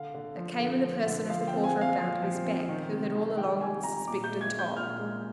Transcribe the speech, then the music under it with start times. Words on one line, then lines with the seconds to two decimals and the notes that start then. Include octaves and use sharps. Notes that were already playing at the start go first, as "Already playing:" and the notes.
It came in the person of the porter of Bounderby's bank, who had all along suspected Tom.
Already playing: D3 F5
0.14 D3
0.37 F3
0.60 D3
0.84 F3
1.06 D3
1.30 F3 F5
1.47 G5
1.53 C4
1.64 G#5
1.76 C4
1.81 F5
1.98 F3
2.22 F3
2.45 C4
2.69 D#3
2.91 C3
3.15 D#3
3.37 D#3 G5
3.61 G3 G#5
3.83 G3 A#5
4.07 A#2 D6
4.24 G6
4.30 G#3
4.41 G#6
4.53 G#3
4.59 G6
4.76 A#2 F6
4.99 G#3